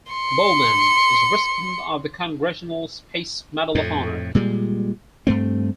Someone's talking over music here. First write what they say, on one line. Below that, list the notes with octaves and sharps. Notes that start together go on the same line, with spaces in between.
Borman is a recipient of the Congressional Space Medal of Honor.
C6 C#7
F2 A2
A#2 G3 G#3
G2 A3 C4